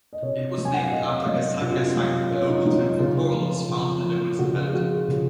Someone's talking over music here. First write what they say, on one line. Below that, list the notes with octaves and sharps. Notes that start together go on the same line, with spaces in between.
It was named after "gasang-gasang", a local term for corals found in the municipality.
D#5
C3 C#5
F#3
G#5
F#5
F5
C3 D#5
F5
F#3 D#5
C3 F4
F#4
F4
F#3
C3 C#4
D#4
F#3 D#4
D#4
C#3 F4
F3
C#3
F3
C#3 F#4
F4
G#4
F3 F#4
G#4
C#3